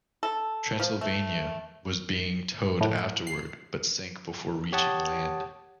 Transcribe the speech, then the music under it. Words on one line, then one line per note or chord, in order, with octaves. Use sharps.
"Transylvania" was being towed afterward but sank before reaching land.
A4
F3
A3
A2
C7
G4 C#5 F#5 A5 D#6